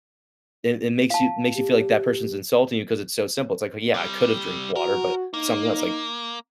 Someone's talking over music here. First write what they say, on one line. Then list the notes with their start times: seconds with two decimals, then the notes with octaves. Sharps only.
it it makes you makes you feel like that person's insulting you 'cause it's so simple. It's like, "Yeah, I could have drinked water," but something else like,
1.10 F5 A5
1.56 G4
3.94 C3 G3
4.76 F#4 A#4
5.34 A#3 D#4